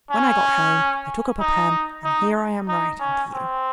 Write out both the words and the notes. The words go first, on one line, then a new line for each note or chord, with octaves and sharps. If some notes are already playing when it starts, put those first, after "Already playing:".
When I got home I took up a pen, and here I am writing to you.
C#4
D#4
D#4
D#4
C#4
C4